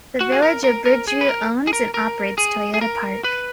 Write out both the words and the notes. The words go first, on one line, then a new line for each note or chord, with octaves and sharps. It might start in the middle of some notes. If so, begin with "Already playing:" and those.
The Village of Bridgeview owns and operates Toyota Park.
F#4
G#4
A#4
A#4
A#4
G#4
B4
A#4
G#4
A#4
A#4
G#4
G#4
A#4
B4